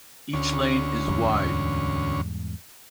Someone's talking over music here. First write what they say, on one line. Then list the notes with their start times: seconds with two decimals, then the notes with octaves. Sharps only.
Each lane is wide.
0.33 D2 C#4
1.08 E2 G#2 G3